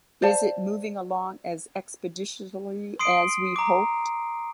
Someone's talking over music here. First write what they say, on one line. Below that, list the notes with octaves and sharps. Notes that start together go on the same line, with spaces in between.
Is it moving along as expeditiously as we hoped?
C5 D5 F5 A5
C6 D#6 C7 D7
A#5 D6